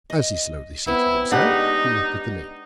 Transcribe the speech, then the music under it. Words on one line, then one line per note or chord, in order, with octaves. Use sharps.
As he slowly seated himself, he looked at the lady.
D#5
B3 C4 E4
G#3 D4 D#4 G4 F#5